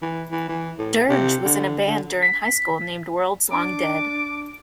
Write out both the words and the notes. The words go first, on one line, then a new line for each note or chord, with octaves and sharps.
Dirge was in a band during high school named Worlds Long Dead.
E3
E3
E3
A2
C3
D3
D3
B6
D4 D6